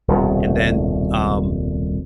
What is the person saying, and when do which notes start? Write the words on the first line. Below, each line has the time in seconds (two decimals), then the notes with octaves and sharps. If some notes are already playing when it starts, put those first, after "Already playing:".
and then, um,
0.08 D#1 C2 B2